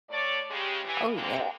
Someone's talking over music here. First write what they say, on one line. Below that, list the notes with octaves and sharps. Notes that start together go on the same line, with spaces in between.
Oh, yeah.
A2 A3 C#5 D5
C#3 G#3 G4
E3
E2 G#2 D3 G#3 A#3 C4